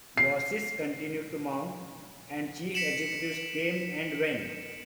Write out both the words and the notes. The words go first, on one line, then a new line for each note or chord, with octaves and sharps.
Losses continued to mount, and chief executives came and went.
C7
B6 C#7 D7 E7 F#7